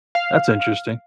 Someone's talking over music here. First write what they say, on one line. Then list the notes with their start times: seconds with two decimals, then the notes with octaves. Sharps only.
That's interesting.
0.15 F5